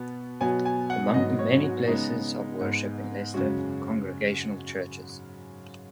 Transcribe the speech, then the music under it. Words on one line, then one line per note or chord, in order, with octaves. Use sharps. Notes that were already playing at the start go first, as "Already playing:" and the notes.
Among the many places of worship in Leicester are Congregational churches.
Already playing: B2 B3
B2 F#3 B3 G#5
G#5
F#5
G#2 F#3 B3 D#5
C#5
F#4
C#3 G#3 B3 D#4
G#2 G#3 B3
F#2 C#3 G#3 F#4